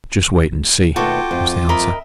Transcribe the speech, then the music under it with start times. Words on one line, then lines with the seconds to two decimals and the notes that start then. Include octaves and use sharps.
"Just wait and see," was the answer.
0.96 D#2 B2 A3 F4 F#4 A4 G5 D6
1.31 F2
1.69 A#4 D#5 E5 B5